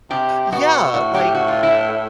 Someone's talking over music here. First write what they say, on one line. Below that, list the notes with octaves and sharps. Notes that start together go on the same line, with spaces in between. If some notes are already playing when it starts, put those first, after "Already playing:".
Yeah, like,
C3 G4
B2 F#4
A2 F#4
G4
F#4
F4
E4